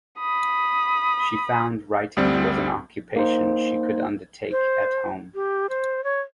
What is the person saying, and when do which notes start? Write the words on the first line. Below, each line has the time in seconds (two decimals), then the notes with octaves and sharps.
She found writing was an occupation she could undertake at home.
0.19 B5 D#6
2.17 D2 G3 C4
3.16 A#3 D#4 C5
4.51 C5
5.35 G4
5.69 C5
6.04 C#5